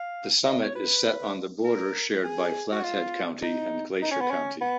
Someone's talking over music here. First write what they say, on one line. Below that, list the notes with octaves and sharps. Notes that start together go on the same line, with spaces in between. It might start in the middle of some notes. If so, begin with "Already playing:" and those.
The summit is set on the border shared by Flathead County and Glacier County.
Already playing: F5
D#5
C#5
B4
A#4
G#4
F#4
F4
D#4
D#4
C#4
B3
C#4
B3